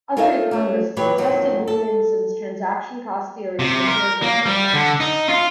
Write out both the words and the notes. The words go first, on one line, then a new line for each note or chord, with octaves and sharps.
Other economists have tested Williamson's transaction-cost theories in empirical contexts.
F4 A4 A#4 C#5 E5 F5
A3 C#4
A#2 E3 F#3 G4 B4 C#5
F2 A#2 D#3 F#3 A#3
A4
C3
A#4
A#3
G3
D3
D#4
F4